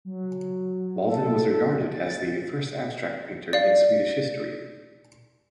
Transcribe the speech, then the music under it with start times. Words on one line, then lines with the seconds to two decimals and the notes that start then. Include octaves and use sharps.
Walden was regarded as "the first abstract painter in Swedish history".
0.05 F#3
1.08 A4
1.91 A6
3.53 D5 F5